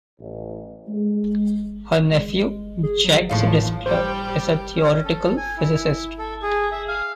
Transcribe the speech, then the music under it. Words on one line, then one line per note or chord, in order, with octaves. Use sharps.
Her nephew, Jacques Distler, is a theoretical physicist.
A1
G#3
G#3
G#4
F#3
D#2 A2 F3 F5
E3
G3 G4 C5 G5
C#4
A4
G#5
E4
A4
G#4
E5
F5